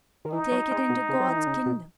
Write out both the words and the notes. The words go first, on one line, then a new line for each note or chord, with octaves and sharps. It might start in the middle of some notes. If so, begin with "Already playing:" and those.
Take it into God's kingdom!
D#3
E3 D#4
F#3
G#3
B2
C#3
F#3
E3
D#3
C#3
B2